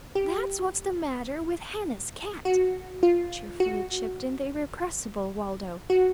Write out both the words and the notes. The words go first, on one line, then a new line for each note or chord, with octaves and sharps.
"That's what's the matter with Hannah's cat!" cheerfully chipped in the irrepressible Waldo.
G4
F#4
F4
F#4
F#4